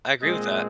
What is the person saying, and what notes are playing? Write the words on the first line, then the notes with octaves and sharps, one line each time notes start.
I agree with that.
A#2 G#3 C4 D#5